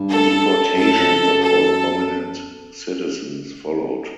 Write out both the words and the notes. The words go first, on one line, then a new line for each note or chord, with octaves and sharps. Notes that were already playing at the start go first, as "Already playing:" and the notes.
Deportations of all prominent citizens followed.
Already playing: G2
A4
F#2 A4
F2
F#2
A4